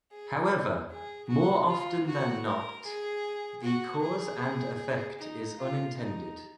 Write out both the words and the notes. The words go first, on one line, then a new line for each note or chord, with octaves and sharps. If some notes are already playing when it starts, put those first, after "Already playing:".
However, more often than not, the cause and effect is unintended.
G#4
G#4
F#4
F4
F#4
A#4
G#4
F#4
G#4
D#4
F4
D#4